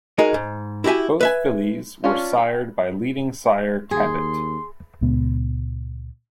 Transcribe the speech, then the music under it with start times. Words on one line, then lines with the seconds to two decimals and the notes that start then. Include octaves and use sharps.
Both fillies were sired by leading sire Tapit.
0.18 G#3 D#4 F#4 G#4 A#4
0.34 G#2
0.84 E4 F#4 G4 E5 G#5
1.21 B4 E5 G#5
2.04 C#4 D4 F4
2.38 G5
3.91 D#2 G#4 C6
5.01 C#2 A#2 G#3 B3